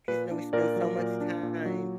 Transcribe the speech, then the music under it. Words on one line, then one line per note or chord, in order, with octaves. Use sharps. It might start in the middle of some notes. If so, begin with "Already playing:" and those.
'cause, you know we spend so much time
A#2 B4
D4
A#2 A#4 D5
F#3
A#2
D4
A#2
F#3